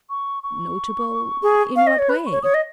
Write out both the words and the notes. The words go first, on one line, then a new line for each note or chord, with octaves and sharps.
"Notable--in what way?"
C#6
C#6
G#4
F5
D#5
C#5
B4 B5
C#6
C#5
C#5 D#6
D#5